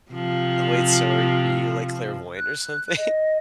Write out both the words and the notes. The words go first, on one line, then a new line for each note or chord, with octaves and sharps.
Wait, so are you, like, clairvoyant or something?
C3 F3
F#6
D#5